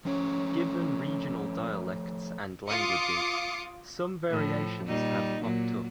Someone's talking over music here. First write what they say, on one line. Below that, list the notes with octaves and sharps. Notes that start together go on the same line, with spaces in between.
Given regional dialects and languages, some variations have popped up.
F3 A3 C#4 C#5
F4 D6 D#6 C7 C#7
A2 F3
A#2 G3 D#4
A#2 F#3 A#3